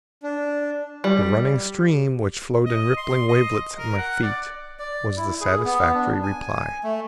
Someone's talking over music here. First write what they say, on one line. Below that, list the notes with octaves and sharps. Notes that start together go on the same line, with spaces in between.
The running stream, which flowed in rippling wavelets at my feet, was the satisfactory reply.
D4
G3
D#5
C6
D#5
A#4
F#5
D5
D5
E4
G#4
B3
D4
G#5
A3